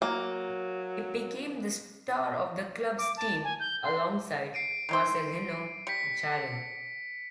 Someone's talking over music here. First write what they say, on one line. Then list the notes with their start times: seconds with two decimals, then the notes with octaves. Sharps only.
He became the star of the club's team alongside Marcelinho Machado.
0.02 F#3 A#3
2.98 D6
3.17 A5
3.44 G#5
3.60 G6
3.84 C6
4.54 C7 D7 D#7
4.89 D#3 E3 C5 C7
5.87 G3 B6 C#7